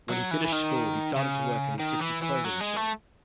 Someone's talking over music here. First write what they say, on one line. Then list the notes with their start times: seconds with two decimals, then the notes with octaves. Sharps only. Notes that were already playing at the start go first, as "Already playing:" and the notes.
When he finished school he started to work in his sisters' clothing store.
0.10 F#3
0.31 E3
0.44 E3
0.52 D#3
1.16 C#3
1.80 D#3
2.01 E3
2.22 E3
2.45 F#3
2.61 G#3
2.77 A3